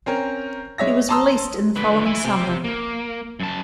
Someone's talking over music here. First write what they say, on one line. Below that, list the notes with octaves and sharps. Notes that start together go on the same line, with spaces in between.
He was released in the following summer.
C4 C#4 A#4
G#3 C#5 E5 A#6
A5 A#5 C6 D#6 E6
D3 B4
E5 G#5
C4 G4
A#3
F#2 A5